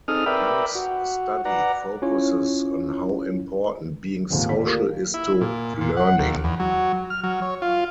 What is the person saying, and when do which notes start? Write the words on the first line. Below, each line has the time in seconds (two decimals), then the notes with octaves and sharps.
Hung's study focuses on how important being social is to learning.
0.08 C4 D#4 G#4 A4 D#6 F6
0.26 A#4 B4 D5 E5 G5 B5
0.75 F#4
1.45 B4 D5 F#5 A#5
2.02 C#4 E4 F4 C#5
4.30 G#1 D#2 A#2 D#3
4.49 D5 B6
4.63 A3 A#3 F4 G4 A#4
5.14 E4
5.41 A#2
5.81 A#2
5.97 F#5
6.19 D#2
6.44 E2
6.60 F#3
7.10 F6
7.24 F#3
7.42 C#5
7.62 F4